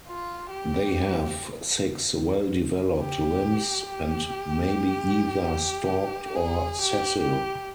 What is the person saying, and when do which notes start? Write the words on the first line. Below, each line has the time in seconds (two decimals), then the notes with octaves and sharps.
They have six well-developed limbs, and may be either stalked or sessile.
0.08 F4
0.50 G4
3.01 G4
3.86 G4
6.36 G#4
6.79 G4
7.21 G4